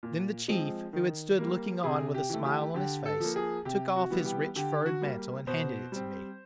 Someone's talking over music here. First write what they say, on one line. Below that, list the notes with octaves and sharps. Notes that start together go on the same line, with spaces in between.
Then the chief, who had stood looking on with a smile on his face took off his rich furred mantle and handed it to me.
A#2
F3 G#3 C4
D#3
G3 A#3
C3 G#4
G4
E3 A3
G4
D3 G4
A4
F3 A#3
G#4
C3 G4
F#4
E3 G3 B3
G4
D3 G4
F#4
G3 A#3
B2 C5
G3 C4